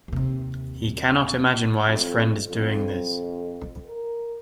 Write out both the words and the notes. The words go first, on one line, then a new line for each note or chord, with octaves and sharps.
He cannot imagine why his friend is doing this.
D#2 C3
F2
F2
A#4